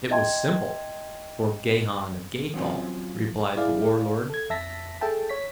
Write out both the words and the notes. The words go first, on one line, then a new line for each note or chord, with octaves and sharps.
"It was simple--for Gahan of Gathol," replied The Warlord.
D#5 E5 G5 A5 C6 G#6
F3 F#3 C4 C#4 F4
E4 G#4 D5 F5
A4 G#6
F2 E5 A5 A#6 B6
G#4 A4 E5 G5 A5
C#5 B6